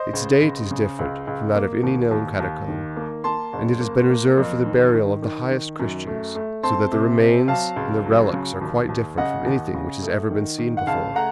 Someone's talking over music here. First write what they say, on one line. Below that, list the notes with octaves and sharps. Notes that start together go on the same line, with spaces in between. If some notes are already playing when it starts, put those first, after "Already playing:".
Its date is different from that of any known catacomb, and it has been reserved for the burial of the highest Christians, so that the remains and the relics are quite different from anything which has ever been seen before.
Already playing: C5 D#5
C#2
C#2
C#3
C#2
C#2
A#3
D#2
D#2
D#2
D#3
A#3
A#3 A5 C6
F#1
A#3
A#3
F2
D#3
D#3
D#3
D#3
F#2
A3
A3
C4 A5 C6
C3
C4
F#3 F5 A5
C#2
F#3
C#3
D#2
D#2
C#3 D#5 F#5
D#2
C#3
A3
D#3
D#3
F#5
C#2 F5 A5
A3 F#5 A#5